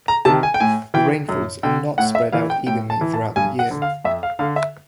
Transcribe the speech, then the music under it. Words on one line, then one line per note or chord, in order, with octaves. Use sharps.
The rainfalls are not spread out evenly throughout the year.
A#5
C3 D#3 A5
G#5
G5
A2 G#5
E3 G5
F#2
D3 G5
A2 F#5
E5
E3 F5
G5
A2 G5
A5
E3
A5
G2 G#5
F#5
D3
F5
F2 E5
F5
D3 F5
E5